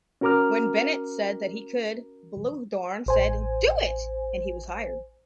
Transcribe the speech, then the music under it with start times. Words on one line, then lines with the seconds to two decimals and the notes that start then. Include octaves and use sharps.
When Bennett said that he could, Bluhdorn said "do it" and he was hired.
0.21 C#4 F#4 A#4 A#5 D6 F6
3.06 A1 C5 G#5